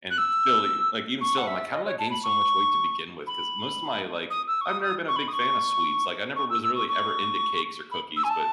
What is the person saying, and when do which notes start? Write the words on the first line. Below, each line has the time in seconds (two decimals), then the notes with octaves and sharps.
and still, eve like, even still, I'm, like, "how did I gain so much weight to begin with," 'cause most of my, like I've never been a big fan of sweets, like, I never was really ever into cakes or cookies, but,
0.10 F#6
0.18 E6
1.21 C#6
1.37 F#5
1.47 E5
1.72 D#5
1.86 C#5
1.99 A5
2.10 B5
2.23 C#6
3.27 B5
4.30 D#6
4.47 E6
4.61 C#6
4.65 D#6
4.82 D#6
5.08 C#6
5.16 B5
5.28 D#6
5.33 C#6
6.36 C#6
6.50 E6
6.62 E6
6.75 C#6
6.88 C#6
7.91 B5
8.16 E6
8.23 G#5
8.29 A5